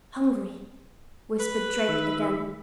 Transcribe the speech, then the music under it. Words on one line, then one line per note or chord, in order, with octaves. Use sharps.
"Hungry," whispered Drake again.
B4
D#3 E5